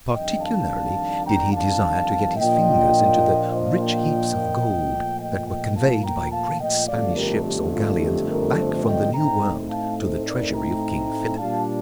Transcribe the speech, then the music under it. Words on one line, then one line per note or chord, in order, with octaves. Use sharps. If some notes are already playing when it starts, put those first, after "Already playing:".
Particularly did he desire to get his fingers into the rich heaps of gold that were conveyed by great Spanish ships or galleons back from the New World to the treasury of King Philip.
F2 D#3 G3 D4 D#5 G5
F5 A5
G5 A#5
F5 A5
A#2 F3 A#3 D4 F4 D#5 G5
C5 D#5
D#5 G5
A#2 F3 A3
D#5 G5
D#5 G5
F5 A5
G5 A#5
F5 A5
D#5 G5
G1 F2 D3 A3 D5 F5
G4 A#4
G4
F4
G4
G4 A#4
A4 C5
D#5 G5
A2 A3 C4 D#4 G5 A#5
F5 A5
A4 C5
A#4 D5
G5 A#5
A#2 G3 D4 F4 F5 A5